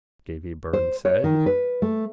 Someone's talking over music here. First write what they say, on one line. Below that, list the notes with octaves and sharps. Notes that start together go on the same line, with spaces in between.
Davy Byrne said...
C5
C#5
D#3
B4
A3